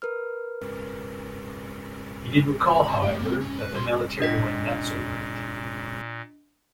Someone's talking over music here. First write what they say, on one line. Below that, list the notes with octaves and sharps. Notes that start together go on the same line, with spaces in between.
He did recall, however, that the military went nuts over it.
A#4 B4 F6
D#5 B5
A3 G4
A#3 C4
C#4
B4
G3 C6
A#2 D4 D#5 B6